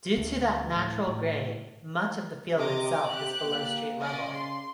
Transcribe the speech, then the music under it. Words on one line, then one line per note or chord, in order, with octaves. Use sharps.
Due to that natural grade, much of the field itself is below street level.
D2
A2
A2
C3 D#5 A#5 D6
C3 G4 F#6
A#3
C#4 D5 D#5
C#3 C6